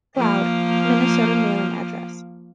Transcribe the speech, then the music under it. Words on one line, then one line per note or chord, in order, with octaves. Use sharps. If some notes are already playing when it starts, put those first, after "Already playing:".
Cloud, Minnesota mailing address.
F3 A#3